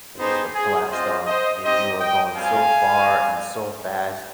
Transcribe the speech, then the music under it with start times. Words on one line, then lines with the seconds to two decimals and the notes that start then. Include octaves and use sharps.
and just the blast off, and you are going so far and so fast,
0.18 B3 D#4 G4 G#4 C5
0.54 G#4
0.91 C4 F4 C5 D#5
1.27 C5 D#5
1.63 C4 D#4 G4 C5 D#5
2.00 D#5 G5
2.36 G3 C4 F4 F5 G#5